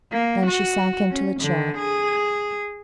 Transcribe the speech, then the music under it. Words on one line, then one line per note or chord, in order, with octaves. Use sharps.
Then she sank into a chair.
A#3
F#4
C#4
D3
G#4